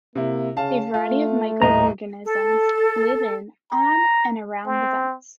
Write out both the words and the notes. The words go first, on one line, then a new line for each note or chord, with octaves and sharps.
A variety of microorganisms live in, on, and around the vents.
C3 A#3 E4
C#3 F5 A5
A3 F4
D#1 A2 D#5 A#5
A4
A#5
C4